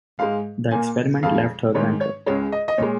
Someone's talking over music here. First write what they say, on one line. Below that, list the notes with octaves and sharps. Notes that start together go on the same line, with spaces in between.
The experiment left her bankrupt.
G#2 G#3 F5
A#2 A#3 G#5
F2 F3 G#3 F5
G#2 D#3 G#3 C#5
C#5
C#2 C#3 G#3 C#5
D#5
D#5
A#2 G#3 C#5